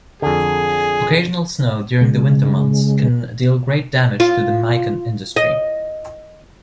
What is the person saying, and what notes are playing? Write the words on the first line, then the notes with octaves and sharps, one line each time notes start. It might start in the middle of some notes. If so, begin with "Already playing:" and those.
Occasional snow during the winter months can deal great damage to the mikan industry.
F2 D3 G#4
C#3 G#3
F4
D#5